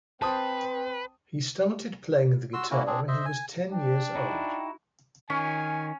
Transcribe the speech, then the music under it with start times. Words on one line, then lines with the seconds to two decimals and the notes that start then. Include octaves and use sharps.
He started playing the guitar when he was ten years old.
0.22 C4 B4 C5 A5 D#6
2.54 F#4 C6 E6
2.71 A#3 C#4 E4 F#4
2.87 C4 D4 G#4
3.08 C5 D#5 E5
3.26 G#5
3.72 D4 G5
4.15 D#4 E4 F#4
5.30 D#3 C#4 G#5